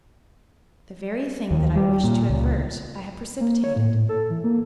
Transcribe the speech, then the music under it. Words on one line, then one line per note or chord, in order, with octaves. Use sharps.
The very thing that I wished to avert I had precipitated.
D#2
G3
A#2
C#2
A#3
C#5
A2
A2
A4
E3
A#3